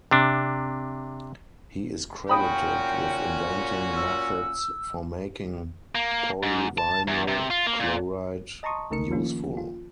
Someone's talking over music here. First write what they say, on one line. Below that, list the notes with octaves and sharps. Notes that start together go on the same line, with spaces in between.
He is credited with inventing methods for making polyvinyl chloride useful.
C3 D4
A#2 C#4 F#4 G5 B5 D#6
E6
A#3
G#2
A5
E2
C3
F4
A#3
A#2
D#5 A5 A#5 C6 C#6 D#6
C2 C#3 A3 D#4 A#4 C#7
D#3 F3 A#3 C#4 F4
F4